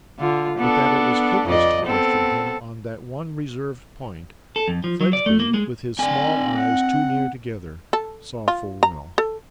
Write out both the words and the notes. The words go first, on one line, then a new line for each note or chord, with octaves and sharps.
But, that it was hopeless to question him on that one reserved point, Fledgeby, with his small eyes too near together, saw full well.
D3 F4
B3 D4 A4
F2 D5 D#5
B3 C4 A4
A4
F2
F3
F#3
D5
A3
A#3
G#3
D3 C4 G5 G#5
F#5
A4
F4
A#5
A4